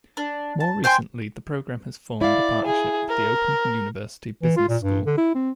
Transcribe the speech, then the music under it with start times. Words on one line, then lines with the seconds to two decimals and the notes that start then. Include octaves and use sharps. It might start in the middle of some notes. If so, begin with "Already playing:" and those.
More recently the programme has formed a partnership with the Open University Business School.
0.17 D4
0.60 A5
0.84 C5 G5 G#5 C6
2.21 E4 D5 F5
2.65 G#4
3.09 A#4
4.43 E3
4.57 F4
4.69 A#2
4.82 G2
5.06 D3
5.18 E4
5.35 C4